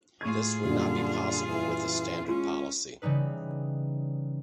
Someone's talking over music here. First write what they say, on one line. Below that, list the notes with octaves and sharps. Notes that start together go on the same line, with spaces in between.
This would not be possible with the standard policy.
A2 F4 G#4 C#6 G#6
F#2 A#2 D3 G3
E3
G#3 C#4 F4 C6
C#3 E3 G3 D#4 B4